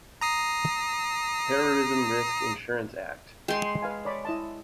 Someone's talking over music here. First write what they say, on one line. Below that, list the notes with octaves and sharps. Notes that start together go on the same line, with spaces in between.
Terrorism Risk Insurance Act.
A#5 D#6 C7
G#3 G5 C6
B4 F5 G#5
C#5 D5 B5
E4 D#5 A5